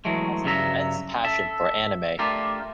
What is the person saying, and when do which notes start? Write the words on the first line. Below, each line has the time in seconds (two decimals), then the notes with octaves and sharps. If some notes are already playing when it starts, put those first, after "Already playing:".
He has an immense passion for anime.
0.05 E3 F#3 G#3 A3
0.44 G2 C#3 F#3 E5 A#5
1.24 A4 E5
2.19 A3 D4 F4 G4 A#4